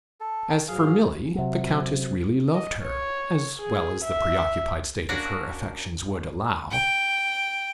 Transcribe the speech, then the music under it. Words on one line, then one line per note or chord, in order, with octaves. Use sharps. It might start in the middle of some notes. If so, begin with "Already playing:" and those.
As for Milly, the Countess really loved her as well as the preoccupied state of her affections would allow.
A4
G#2 F#3 G#4 F5
C3 F#3
D#5
C#5
G#4
E5
A#3 C#4 D4 F#4 A#4
G5